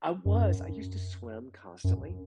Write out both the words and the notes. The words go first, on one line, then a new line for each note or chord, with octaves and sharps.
I was, I used to swim constantly
F#2
F#2